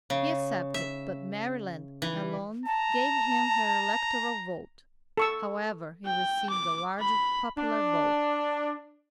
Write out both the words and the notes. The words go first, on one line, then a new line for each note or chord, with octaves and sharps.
He accepted, but Maryland alone gave him her electoral vote; however, he received a large popular vote.
C#3
E5
E3
A5 A#5
A4 C#6 E6
G5
D6
B5
D4